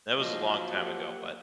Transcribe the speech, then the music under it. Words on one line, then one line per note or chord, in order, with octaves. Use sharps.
That was a long time ago, but,
F3 F#3 A#3 D#5 F5
G4 F#5